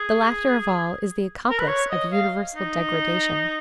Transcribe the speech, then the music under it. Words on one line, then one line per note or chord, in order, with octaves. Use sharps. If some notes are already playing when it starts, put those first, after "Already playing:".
The laughter of all is the accomplice of universal degradation.
Already playing: G#4
A#4
B4
C#5
D#5
F5
D#4